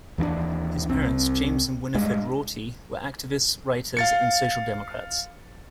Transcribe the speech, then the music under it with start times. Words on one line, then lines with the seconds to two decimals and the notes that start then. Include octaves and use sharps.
His parents, James and Winifred Rorty, were activists, writers and social democrats.
0.18 D#2 E3 C4 D4
0.89 C2 C4
1.95 G2 G#3
3.97 F5 A6 C#7